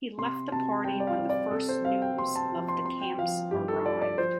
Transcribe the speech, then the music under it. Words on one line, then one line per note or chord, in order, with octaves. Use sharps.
He left the party when the first news of the camps arrived.
C3 C6
C3 A5
G3 G5
D5
F5
C4
D5
C3 A4
C5
C4 F5
G5
C3 C6
A5
F3
C6
C4 C6
G5
F3 F5
G2 G4
A4
F3 D5
D5
F3 C5